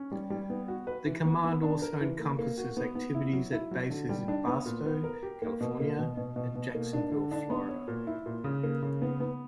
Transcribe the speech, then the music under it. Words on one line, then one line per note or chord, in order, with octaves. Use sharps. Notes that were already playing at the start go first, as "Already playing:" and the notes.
The command also encompasses activities at bases in Barstow, California, and Jacksonville, Florida.
Already playing: C#4
G3
G3
B3
F#4
B4
E3
B3
B3
D4
A#4
E3
A#3
A#3
F#4
B3
B3
E4
F#3
E4
F#3
D3
G3
D4
B3
A#2
B3
A#4
G4
A#3
B2
A#3
B2
B2
B2
B2
A#3
D4
D3
D4
B3
C#5
A#2
E4
A#2
C#3
A#3
C#3
B3
B3